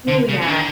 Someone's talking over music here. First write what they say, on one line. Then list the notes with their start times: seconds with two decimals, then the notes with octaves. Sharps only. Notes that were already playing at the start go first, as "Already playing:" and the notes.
Ooh, yeah.
0.08 D3
0.29 C#3
0.42 C#3
0.48 D3